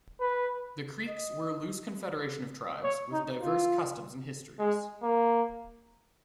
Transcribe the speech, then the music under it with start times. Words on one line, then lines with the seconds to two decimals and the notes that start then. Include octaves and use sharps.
The Creeks were a loose confederation of tribes with diverse customs and histories.
0.21 B4
1.08 D#5
2.84 C#5
3.13 D#4
3.42 F4
4.59 G#3
5.03 A#3